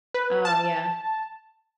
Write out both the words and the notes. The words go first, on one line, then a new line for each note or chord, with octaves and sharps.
Oh yeah.
B4
A5